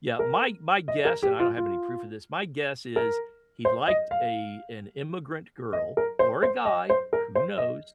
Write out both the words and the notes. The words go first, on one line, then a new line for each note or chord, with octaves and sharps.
yeah, my my guess- and I don't have any proof of this- my guess is, he liked a an immigrant girl- or a guy, who knows-
A#4
D#5
A#4
G4
F4
F4
A#4
C5
D#5
F5
D#5
A#4
C5
C5
D#5
C5
A#4
C5
D#5